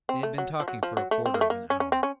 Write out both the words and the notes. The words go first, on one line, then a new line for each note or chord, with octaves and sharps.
They had been talking for a quarter of an hour.
C4
A3
F#3
F3
F#3
F3
F#3
A3
C4
A#3
A3
A#3
C#4
C#4
C4
C#4